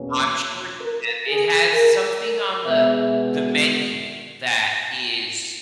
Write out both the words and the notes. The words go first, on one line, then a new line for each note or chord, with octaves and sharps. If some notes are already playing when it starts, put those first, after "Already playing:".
I'm sure you have. It has something on the the menu that is
Already playing: E2 B2 A#3 C#4
A#4
G#4
A#4
B2 G#3 B3 E5